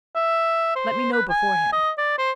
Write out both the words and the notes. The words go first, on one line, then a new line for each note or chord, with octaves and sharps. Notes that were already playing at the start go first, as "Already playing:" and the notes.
Let me know beforehand....
E5
C5
B4
G#5
D#5
D5
C5